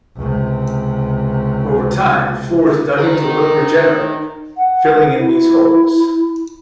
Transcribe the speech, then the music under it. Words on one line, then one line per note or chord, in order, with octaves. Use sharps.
Over time, floors dug into will regenerate, filling in these holes.
C#2 C3
D#4 A#4
F#5
E4